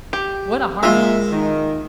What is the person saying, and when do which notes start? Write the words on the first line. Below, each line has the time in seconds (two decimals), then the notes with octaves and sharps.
What a harmonist!
0.13 G4
0.83 G#3 A#3 F4 A#4 E5
1.32 D#3 D#4